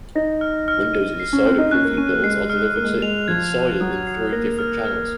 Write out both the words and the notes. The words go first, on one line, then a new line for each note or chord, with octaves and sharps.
Windows Insider Preview builds are delivered to Insiders in three different channels.
D#4 A#6
F6
F6
D#7
C7
C#4
C4 F#6
D#4
C#4 F#6
A#3
C#4 D#7
A#3
G#3 C7
F6
A#3 F6
G#3
A#3
G#3 F7
F3 G#6
F7
F#3 D#6
C7
A#3 A#6
F6
F6